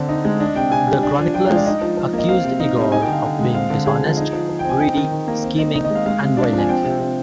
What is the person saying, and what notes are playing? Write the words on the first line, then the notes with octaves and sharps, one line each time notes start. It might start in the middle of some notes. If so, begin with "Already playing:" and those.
The chroniclers accused Igor of being dishonest, greedy, scheming, and violent.
Already playing: D3 C4 D5
D#4
G#3
D4 D#5
C3 G5
C3 G#5
G3
D4
F3
F3 G5
F5
G#3
D5
D#4 D#5
F3
F3
A#3
D#5
C4 F5
C3
D#4
G3
D#4 G#5
G5
D3
F5
D3
G#3
C4 F5
D3
D3 G#4
F3
D#4
F3
F3
G5
C4 G#5
D#4 G5
D#3
D#3
A#3
C4
D#3 D#5
D#4 D#5
D#5
G#3
F5
G#3 F5
C3
D4
F3
G#5
C4 G5
C3
C3